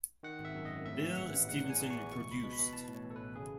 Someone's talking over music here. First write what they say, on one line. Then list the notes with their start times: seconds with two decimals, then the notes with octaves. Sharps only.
Bill Stevenson produced.
0.23 D#3 F#5
0.39 G#1
0.45 E5
0.54 F#2
0.65 D#5
0.71 G#1
0.86 A2 E5
1.02 E3
1.17 A1 F#5
1.34 A1
1.49 E2 F#5
1.64 E2
1.70 G#5
1.81 E2
1.90 C#6
1.96 E3
2.11 B2 C#6
2.27 C#2 B5
2.43 B2
2.53 B5
2.59 B2
2.73 E3 A5
2.89 A2
2.95 C#5
3.04 E3
3.11 A4
3.16 B4
3.21 A1
3.36 C#3 G#4